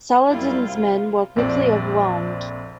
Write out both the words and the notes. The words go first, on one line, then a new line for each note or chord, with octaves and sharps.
Saladin's men were quickly overwhelmed.
F#2 G3 E4 F4
C3
A#1 F2 C4 D5